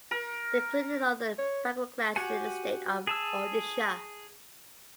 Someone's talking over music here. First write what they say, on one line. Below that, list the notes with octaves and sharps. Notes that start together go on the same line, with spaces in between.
They are included in the Other Backward Classes in the state of Odisha.
A#4
C#5
F#4 G4 F#5 G#5
G#4 A5 E6